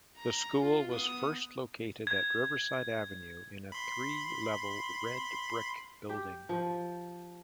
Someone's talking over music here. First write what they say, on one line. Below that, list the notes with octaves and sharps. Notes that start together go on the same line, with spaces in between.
The school was first located at Riverside Avenue in a three-level red brick building.
A#5
F4
B3 D#6
G#6
B5 C6
G4
F3